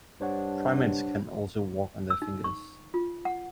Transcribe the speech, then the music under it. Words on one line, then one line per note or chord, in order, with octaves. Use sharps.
Primates can also walk on their fingers.
G2 D4 C5 C#5 F#5
E6
D#4
C#6
F4
F#5